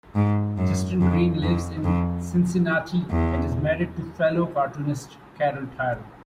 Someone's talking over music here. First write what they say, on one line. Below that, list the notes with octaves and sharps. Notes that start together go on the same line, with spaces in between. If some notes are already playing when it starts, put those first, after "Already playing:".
Justin Green lives in Cincinnati, and is married to fellow cartoonist Carol Tyler.
G#2
F#2
F2
F2
F2
E2